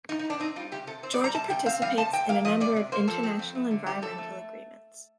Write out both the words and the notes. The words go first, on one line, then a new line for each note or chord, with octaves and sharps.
Georgia participates in a number of international environmental agreements.
A2 D#4
D#4
A2
D4
C4 D#4
G3 F4
C3 G4
C3 A4
C4 C5
D5
G3 A#5
C3 A5
C3 G5
C4 F5
G3 F5
C3 A5
C3 G5
A#3 F5
F3 D#5
C3 D5
C3
A#3 C5
F3 A4
C4
F2
A3
D3
C4 G4
F2 A4
A3